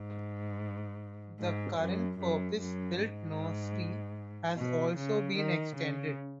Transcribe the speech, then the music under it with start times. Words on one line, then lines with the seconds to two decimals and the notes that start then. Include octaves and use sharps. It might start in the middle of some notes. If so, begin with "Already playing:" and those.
The current purpose built Nursery has also been extended.
Already playing: G#2
1.40 G#2
1.79 F#2
2.19 F#2
2.59 F#2
2.98 G#2
4.57 B2
4.97 C#3
5.36 D#3
5.76 C#3